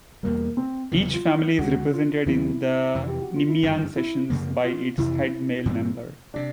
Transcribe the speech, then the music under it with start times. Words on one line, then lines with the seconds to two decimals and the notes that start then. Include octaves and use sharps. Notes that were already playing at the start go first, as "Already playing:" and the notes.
Each family is represented in the Nimiang sessions by its head male member.
0.23 E2 B2 G3 A#3
0.57 C4
0.92 F1 E2 C#3 E3
1.13 F4
1.25 E4
1.58 D2 C#3 E3 G#3 F#4
1.93 F4
2.26 D#2 D#3 F#3 B3 E4
2.95 F2 C3 E3
3.08 G4
3.21 F#4
3.36 F4
3.49 E4
3.62 G1 F#2 D3 F3 D#4
3.96 E4
4.30 F#2 C#3 F3 A#3
4.64 F4
4.98 F2 C3 E3 E4
5.66 G2 E3 G#3 C4
6.34 C3 D4